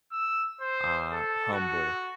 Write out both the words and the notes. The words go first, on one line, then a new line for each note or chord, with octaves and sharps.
uh, humble
E6
C5
A4
F#4